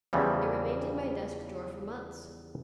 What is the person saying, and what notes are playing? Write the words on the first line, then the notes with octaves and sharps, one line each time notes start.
It remained in my desk-drawer for months.
E2 C#3 E3 F3 G3